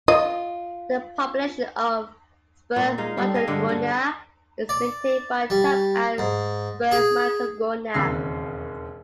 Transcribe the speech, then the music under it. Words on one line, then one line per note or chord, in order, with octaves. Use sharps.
The population of spermatogonia is maintained by "type Ad spermatogonia".
F4 D#5
A#2
G#3 D#4 F5
G3 A4
G#4 D#5 F5
G2 D3 G#3 D4
D3
D5
G3
G#2
G#4
E1 D#2 C#3 C4 E6 C7